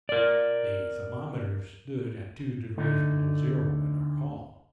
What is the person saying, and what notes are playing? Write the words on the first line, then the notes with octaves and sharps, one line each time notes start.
The thermometer stood at two degrees below zero in our hall.
A#4 D5
D2 D3 A3 D#4